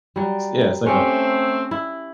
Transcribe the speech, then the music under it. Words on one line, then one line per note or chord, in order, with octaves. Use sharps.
s yeah, it's like a
F#3 G3
A3 C4 C#4 G4
E4